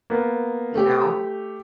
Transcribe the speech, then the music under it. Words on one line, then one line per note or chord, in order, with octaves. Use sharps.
You know?
A#3 B3
A3 G4